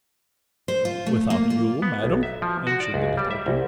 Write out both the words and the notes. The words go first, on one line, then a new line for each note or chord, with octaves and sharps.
"Without you, madam?" answered the detective.
C5
F4
A3
A#3
F4
B3
B1
E5
F3
F#4
D5
C#2
G3
E5
C2